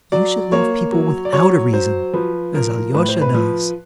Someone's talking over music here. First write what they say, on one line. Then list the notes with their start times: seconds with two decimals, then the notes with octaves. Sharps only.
"You should love people without a reason, as Alyosha does."
0.12 F#3 D5
0.52 A#3 C#5
0.92 F#3
1.25 D5
1.33 F#3 C#5
1.73 F#3 C5
2.14 F3 B4
2.54 F3 A#4
2.94 A2 B4
3.08 C5
3.22 B4
3.34 F3